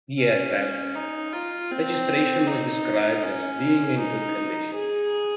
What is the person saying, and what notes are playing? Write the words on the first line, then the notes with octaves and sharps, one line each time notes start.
The aircraft, registration was described as being in good condition.
C#4
D#4
F4
C4
D#4
C#4
D#4
G#4